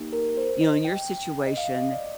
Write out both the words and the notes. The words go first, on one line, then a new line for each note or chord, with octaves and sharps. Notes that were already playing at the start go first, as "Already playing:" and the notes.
you know, in your situation,
Already playing: A#3 D#4 G4
A#4
C5
D#5
G5
D#5
F5
D#5
D5